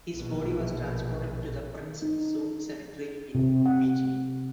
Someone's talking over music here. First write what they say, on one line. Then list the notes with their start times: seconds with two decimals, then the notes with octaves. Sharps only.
His body was transported to the Prince Su Cemetery in Beijing.
0.15 A#1 B2
2.02 D#4
3.35 C3
3.66 F#5